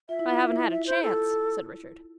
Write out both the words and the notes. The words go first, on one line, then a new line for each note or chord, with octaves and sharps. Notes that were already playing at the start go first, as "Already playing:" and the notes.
"I haven't had a chance," said Richard.
F4 E5
E4
F4
E4
E4
E5
C5
A4